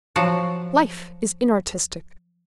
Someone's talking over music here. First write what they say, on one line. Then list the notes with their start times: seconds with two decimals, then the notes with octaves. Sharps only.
Life is inartistic.
0.16 F3 F#3 F#4 F#5 A5